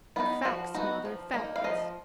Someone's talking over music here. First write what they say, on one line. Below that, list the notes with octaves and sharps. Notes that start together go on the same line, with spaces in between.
"But facts, mother, facts!"
B3 D#4 F4
F3 F#4
B3 D#4 F#4
F3
A#3 D#4
F5
F3 D#5